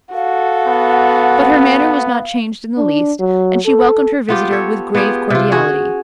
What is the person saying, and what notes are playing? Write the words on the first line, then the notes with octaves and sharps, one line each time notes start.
But her manner was not changed in the least, and she welcomed her visitor with grave cordiality.
F#4 A4 F5
B3
D4
F#3
A4
B3 F4 G4
A4 C#5
B3 F4 G4 G#4
C3 F4
C#4 F#4 G#4